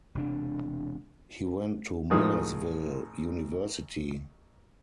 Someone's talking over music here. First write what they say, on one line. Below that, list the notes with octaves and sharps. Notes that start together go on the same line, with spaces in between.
He went to Millersville University.
E1 C3 D4
A1 A2 D#3 F3 G#3 G#4